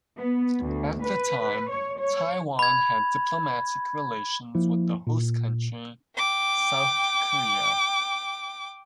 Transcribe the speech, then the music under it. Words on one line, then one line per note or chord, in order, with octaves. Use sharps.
At the time, Taiwan had diplomatic relations with the host country, South Korea.
B3
D2
B4
C#5
C#5
B5 G#6
F3 A#3 E4
A#2
G5 D6